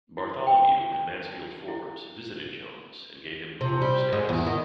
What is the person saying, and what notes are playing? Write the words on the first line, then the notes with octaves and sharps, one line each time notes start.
Bartholomew and Mansfield Forbes visited Jones, and gave him "guru" status.
E4
G5
A5
A5
E4
C3
G3
G#2
E2
D#3